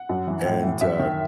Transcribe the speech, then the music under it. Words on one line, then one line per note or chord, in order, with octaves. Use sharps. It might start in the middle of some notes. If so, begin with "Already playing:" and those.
and, uh,
Already playing: F#5
F#2
E3
A2
E3
F#2 E5
D#3